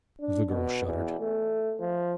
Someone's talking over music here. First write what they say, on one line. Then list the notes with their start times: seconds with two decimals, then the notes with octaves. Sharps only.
The girl shuddered.
0.20 D4
0.50 B2
0.86 E2
1.20 A3
1.80 F3